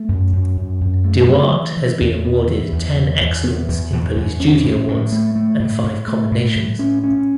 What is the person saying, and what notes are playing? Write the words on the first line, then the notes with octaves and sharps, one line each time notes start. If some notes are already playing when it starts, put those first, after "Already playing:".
Duarte has been awarded ten Excellence in Police Duty awards and five commendations.
Already playing: A3
F#2
F#2
F#2
F#2
A3
F#3
E3
E3
E2
B3
E3
E2
E3
E2
B3
E2
E2
E2
C#4
A2
A2
A3
A3
A2
A2
A3
A2
A2
C#4
C#4